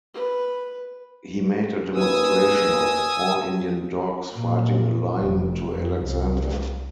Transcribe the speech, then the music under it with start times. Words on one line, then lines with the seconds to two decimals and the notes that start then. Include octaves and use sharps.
He made a demonstration of four Indian dogs fighting a lion to Alexander.
0.14 B4
1.94 D#2 B4 G#5 D#6 E6
4.33 A#2
5.17 F1
5.71 F2
6.04 C2